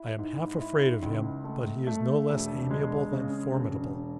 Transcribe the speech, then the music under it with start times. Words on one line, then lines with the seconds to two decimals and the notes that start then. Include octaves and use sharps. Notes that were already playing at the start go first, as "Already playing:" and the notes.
I am half afraid of him; but he is no less amiable than formidable.
Already playing: E4
0.18 G#2
0.61 E4
1.03 C#2
1.44 A3
1.87 A3
2.29 E1
2.71 G#3
3.12 C#3
3.54 E1